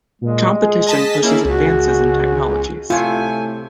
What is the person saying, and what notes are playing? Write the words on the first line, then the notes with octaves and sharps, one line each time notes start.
Competition pushes advances in technologies.
A#2 G#3
G#4
D#5 A5 B6
A#3 C#4 E4
C#2 F#4
A2 C3 A3 F4 G#5